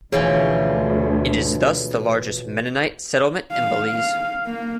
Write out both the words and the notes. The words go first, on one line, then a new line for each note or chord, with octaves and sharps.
It is thus the largest Mennonite settlement in Belize.
D2 B2 E3 F3 G#4 C#5
F5
F5
A#3